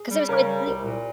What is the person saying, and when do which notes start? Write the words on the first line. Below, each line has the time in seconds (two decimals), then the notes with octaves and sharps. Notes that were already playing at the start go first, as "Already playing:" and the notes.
'cause it was quite le
Already playing: G#4
0.11 G3
0.29 C#3 A#4
0.48 G3
0.66 C2
0.84 A#2